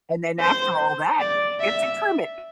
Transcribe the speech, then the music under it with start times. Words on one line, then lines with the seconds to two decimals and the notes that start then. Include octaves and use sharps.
And then, after all that, you get to trim it.
0.40 C5
1.20 D5
1.60 E5